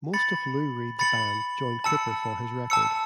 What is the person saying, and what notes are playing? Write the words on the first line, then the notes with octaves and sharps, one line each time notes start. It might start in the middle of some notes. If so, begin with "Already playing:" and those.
Most of Lou Reed's band joined Cooper for this record.
B5 A6 C#7 F#7
B5 A6 C#7 F#7
A5 E6 C#7
A5 E6 C#7